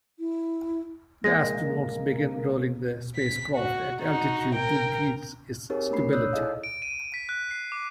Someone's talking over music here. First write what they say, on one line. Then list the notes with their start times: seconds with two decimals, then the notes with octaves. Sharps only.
The astronauts began rolling the spacecraft at altitude to increase its stability.
0.19 E4
1.24 G#3 A#3 A#6
3.16 B6
3.55 F#4
4.02 D#4 F#4
4.55 A#4 G5
5.70 C4 D#4 G4 G#4 A#4 C#5
5.91 A3 A#3 D4 B5 C7
6.13 C#5 D5 D#6 E6 F#6 G6
6.33 D#4 E4 G#4 A4 D#5 F5
6.64 D7
6.82 D#7
7.14 B6
7.29 F#6
7.51 C7
7.72 D6